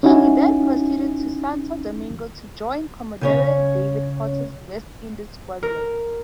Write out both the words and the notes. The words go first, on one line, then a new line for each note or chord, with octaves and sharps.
She then proceeded to Santo Domingo to join Commodore David Porter's West Indies Squadron.
C#4 D#4 E4 F#4 G#5
C#3 C#4 C#5
A#4